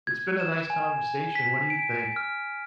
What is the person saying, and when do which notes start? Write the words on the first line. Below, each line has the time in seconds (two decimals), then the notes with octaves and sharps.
It's been a nice conversation, what do you think?
0.07 G#6
0.40 E7
0.70 G#5
1.35 B6
1.70 D7
2.16 F6